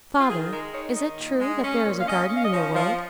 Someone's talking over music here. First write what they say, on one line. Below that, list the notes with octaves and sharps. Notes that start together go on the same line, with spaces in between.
"Father, is it true that there is a garden in the world?"
F4
D#3 G#4
G#3 A#4
D#4 C#5
D#3 D#5
A#2
G#3
C#4
A#2
F5
C#4 D#5
C#4
F5
D#5
F3 C#5
F3